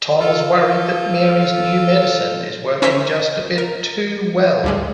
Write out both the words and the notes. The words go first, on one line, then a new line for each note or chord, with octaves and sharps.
Tom is worried that Mary's new medicine is working just a bit too well.
F4 A4
C#4 A#4 C5 E5 C#6 B6
A#4
D2 G2 G#3